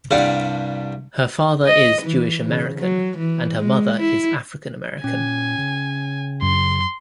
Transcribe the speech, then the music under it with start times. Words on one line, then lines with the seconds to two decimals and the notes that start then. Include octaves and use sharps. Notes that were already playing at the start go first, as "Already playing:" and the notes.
Her father is Jewish-American and her mother is African-American.
0.11 C2 G2 G3 F5 F#5 A5
1.67 D#5
2.02 E3
2.49 C#3
2.79 F#3
3.18 E3
3.58 G#3
4.00 E4
5.04 A#2 C#4 G#5
5.58 C#3
6.42 F#2 C6